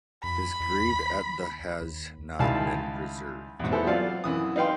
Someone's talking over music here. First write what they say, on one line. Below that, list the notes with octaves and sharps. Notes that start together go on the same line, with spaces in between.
His grave at the has not been preserved.
F2 B5
E2
D#2
D#2
C#2 D#3 G3 E4 F5 A5
E2 G#2
B3 E4 A4 C5
F#3 F4 D5 F5
F#2 E3 D#6
D#4 B4 F5 G5 C6